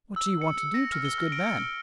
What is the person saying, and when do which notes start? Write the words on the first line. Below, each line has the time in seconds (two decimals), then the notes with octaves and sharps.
What do you want to do to this good man?
0.16 E6
0.41 C#7
0.58 C#7
0.74 A#6
0.92 F6
1.05 G7
1.18 F6
1.32 D7
1.47 C#7